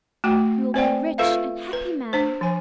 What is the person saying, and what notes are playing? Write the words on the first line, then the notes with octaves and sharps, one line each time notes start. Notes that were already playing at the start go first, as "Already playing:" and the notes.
You will be a rich and happy man!
A3 F#4 G5
C4 B4 C5 D5 F#5 G5
F4 A4 B4 E5 F5
B4
D4 C5
F3 G#5